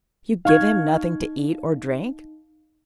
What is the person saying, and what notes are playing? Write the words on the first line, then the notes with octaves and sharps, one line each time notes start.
"You give him nothing to eat or drink?"
D#4 F5 C#6 G#6